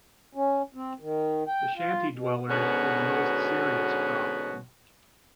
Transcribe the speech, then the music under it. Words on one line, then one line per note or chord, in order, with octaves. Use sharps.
The shanty dwellers were the most serious problem.
C#4
C4
D#3
G5
F4
B2
G#2 B2 D3 B3 C#4 F#4